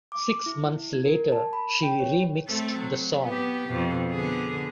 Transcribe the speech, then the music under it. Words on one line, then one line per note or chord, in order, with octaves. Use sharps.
Six months later she remixed the song.
D6
E4
G#6
A#4
A5
B5
G5
C#5
A3 C4 A4
F#3
B3 G4
F2 B2
D3 B3 G#4